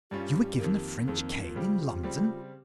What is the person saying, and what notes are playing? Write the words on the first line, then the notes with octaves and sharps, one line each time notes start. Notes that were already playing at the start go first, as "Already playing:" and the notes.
"You were given a French cane in London!"
G2 G3 C#4 F4 G4
F2 D#3 A#3
F2 D#3 A#3 G#4
C4
C#4
F4
C#3 G3 C4 G4
C#3 G3 C4 G4